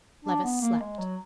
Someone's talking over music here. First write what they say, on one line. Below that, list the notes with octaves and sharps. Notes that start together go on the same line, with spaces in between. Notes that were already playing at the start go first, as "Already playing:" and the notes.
Levice slept.
D4
B3
A#3
G#3
F#3